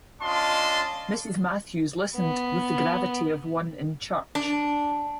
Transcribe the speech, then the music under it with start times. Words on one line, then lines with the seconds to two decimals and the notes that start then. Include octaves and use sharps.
Mrs. Matthews listened with the gravity of one in church.
0.21 C#4 D4 F4 D#5 A5 C6
2.16 B3
4.35 D4